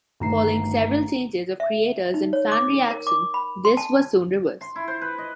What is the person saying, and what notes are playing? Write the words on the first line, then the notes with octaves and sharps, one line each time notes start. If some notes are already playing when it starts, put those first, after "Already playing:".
Following several changes of creators and fan reaction, this was soon reversed.
G1 D#3 A3 F#4 A#5 C7
E5
D#4
C#5
D6
A#4
D6
B5
C6
A5
C6
E4
C5
B4
D#5